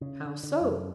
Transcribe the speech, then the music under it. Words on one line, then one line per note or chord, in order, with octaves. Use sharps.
How so?
C#3
D3
D3
F#2